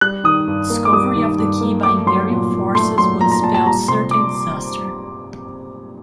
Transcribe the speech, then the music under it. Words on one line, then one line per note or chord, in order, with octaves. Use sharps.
Discovery of the key by Imperial forces would spell certain disaster.
G3 F#6
D#3 D#6
G2
A#3
D6
G3 D#6
D#3
G2
A#3
A3 D6
F#3 C6
A#2
A#2
A3 C6
F#3 C6
A#2 A#5
A#5
A#2 A5
A5
G3 A#5
C3 C6
D6